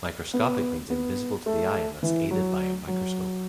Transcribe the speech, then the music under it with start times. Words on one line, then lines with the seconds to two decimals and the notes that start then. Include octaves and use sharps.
Microscopic means invisible to the eye unless aided by a microscope.
0.34 B3
0.90 B3
1.46 A3
2.03 E3
2.31 F#3
2.87 F#3